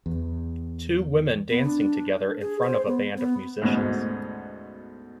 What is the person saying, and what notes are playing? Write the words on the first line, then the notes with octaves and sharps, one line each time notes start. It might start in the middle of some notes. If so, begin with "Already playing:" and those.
Two women dancing together in front of a band of musicians.
E2
B3
D4
G#4
C5
B3
B3
D2 G#2 B2 C#4